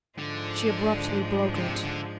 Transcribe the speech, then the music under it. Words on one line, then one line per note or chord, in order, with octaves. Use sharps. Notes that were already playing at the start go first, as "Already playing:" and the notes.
She abruptly broke it.
G#2 D3 F3 G#3 D4
D3
C3
D3